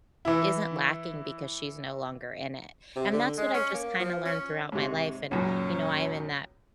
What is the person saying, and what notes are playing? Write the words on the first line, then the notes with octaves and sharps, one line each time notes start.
isn't lacking because she's no longer in it. And that's what I've just kinda learned throughout my life, and, you know, I am in that
E3 E4
C3
D3
G#3
C#4
A#3
F3
C#4
G#2 C3 C#5
C#2 F#2 A#2 C#4